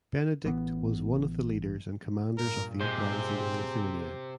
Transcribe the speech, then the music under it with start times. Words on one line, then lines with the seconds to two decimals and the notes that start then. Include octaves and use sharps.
Benedykt was one of the leaders and commanders of the uprising in Lithuania.
0.45 A1 E3 B3
2.37 G2 A#2 A#4
2.80 C3 C4 G#4 C5